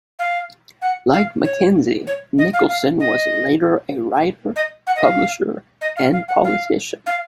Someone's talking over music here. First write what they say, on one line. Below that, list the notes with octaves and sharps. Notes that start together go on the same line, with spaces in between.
Like MacKenzie, Nicolson was later a writer, publisher and politician.
F5
F#5
F5
C#5
C#5
D#5
F5
F5
D#5
D#5
F#5
D#5
F5
D#5
F5
F5
F#5
F5
F5